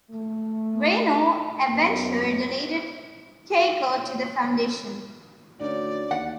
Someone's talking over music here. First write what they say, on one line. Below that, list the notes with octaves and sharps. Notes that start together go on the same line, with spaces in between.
Reino Aventure donated Keiko to the Foundation.
A3
F#2 B3
C#4
D2 C#4 D#4 F#4 D5
D#2 F#5